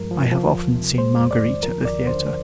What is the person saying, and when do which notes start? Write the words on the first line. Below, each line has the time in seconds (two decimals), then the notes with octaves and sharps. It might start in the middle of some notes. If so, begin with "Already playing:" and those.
I have often seen Marguerite at the theatre.
Already playing: G2 F3 G#3 A#4
0.11 F3
0.32 F3
0.54 D2
0.75 C3
0.98 G#3 C5
1.20 F2
1.31 D5
1.41 D#3
1.63 F3 A#4
1.85 D2 D5
2.07 D3 C5